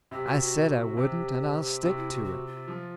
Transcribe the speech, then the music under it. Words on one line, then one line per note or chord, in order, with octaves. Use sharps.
I said I wouldn't, and I'll stick to it.
C3 G4
F#4
F#4
C3 G4
C3 F#4
E4
F#4
F#4
F4
F3